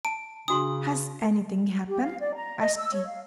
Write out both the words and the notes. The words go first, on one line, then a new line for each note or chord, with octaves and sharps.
'Has anything happened?' asked he.
A5 D7
C#3 D4 F#4 C6 D#6
G4
F5
D5
A#5
D#5
E6
C#5
F5